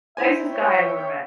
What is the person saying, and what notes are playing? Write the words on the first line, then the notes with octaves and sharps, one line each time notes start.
Nicest guy I've ever met.
E4 C5 E5 G#5
C#5 G5